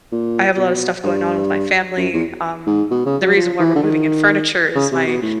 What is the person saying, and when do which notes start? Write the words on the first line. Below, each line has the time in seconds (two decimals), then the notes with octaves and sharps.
I have a lotta stuff going on with my family, um, the reason why we're moving in furniture is my,
0.12 A#2
0.57 B2
1.04 G2
1.97 F#2
2.13 E2
2.67 G#2
2.91 B2
3.06 C#3
3.22 F#3
3.37 F3
3.59 E3
3.75 D3
3.83 D#3
4.75 C#3
4.92 C3
5.07 B2
5.22 A2